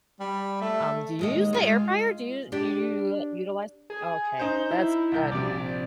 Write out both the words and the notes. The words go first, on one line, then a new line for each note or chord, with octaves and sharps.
Um, do you use the air fryer? Do you do you utilize? Oh, okay that's good,
G3
A3
D#2 G#3 D#5
G#3 F4
D4 G4
G#4
D#4 C5 G6
E4
C2 G6
A#1 C3 D5